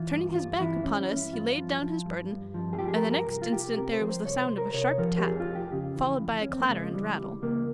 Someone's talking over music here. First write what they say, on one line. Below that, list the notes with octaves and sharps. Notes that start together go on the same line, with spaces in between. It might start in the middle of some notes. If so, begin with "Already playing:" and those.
Turning his back upon us he laid down his burden, and the next instant there was the sound of a sharp tap, followed by a clatter and rattle.
Already playing: E3 F4
G2
G2 F4
E3 E4
E3 C#4
C#4
G2
E4
G2 F4
F3
F3
G2
G2
F3
G#4
F3 G4
G#4
A#4
G2
A#4
C2
F4
C2 G4
C3 A#4
C5
F3
C5
C2 C#5
C5
C2
A#4
C3 C#5
F3 A#4
G4
F2 G#4
F4
F2
G4
C#3
E3
F2
F2 C#4
C4
A#3
C#3 G#3
E3 G3
C#2
C#2 A#3